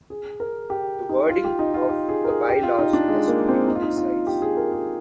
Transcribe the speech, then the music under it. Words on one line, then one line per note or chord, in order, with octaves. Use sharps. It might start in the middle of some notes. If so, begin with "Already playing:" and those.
The wording of the bylaws has to be precise.
G#4
A#4
G4
D#4
F4
G4
D#4
F4
G4
G#4
A#4
G#4
G4
F4
D#4
D4
G#3
A#3
C4
D#4
F4
D#4
F4
G4
G#4
A#4
G#4